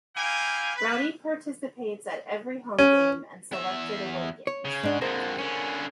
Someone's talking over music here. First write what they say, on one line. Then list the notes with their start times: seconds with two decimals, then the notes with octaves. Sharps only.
Rowdy participates at every home game and selected away games.
0.16 A#3 E4 F5 G5 G#5
0.76 B4
2.79 C#4
3.52 E2 E5
4.47 C#5
4.65 C#3
4.83 G#2 D4 F#5
5.01 F2 D3 G#4 A#4 C5
5.38 D3 C#4